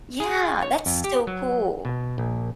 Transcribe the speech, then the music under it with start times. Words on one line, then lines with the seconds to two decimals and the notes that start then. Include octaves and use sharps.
Yeah, that's so cool.
0.20 G#4
0.62 C#5
0.86 F2
1.04 G4
1.27 F#3
1.85 B2
2.18 A#1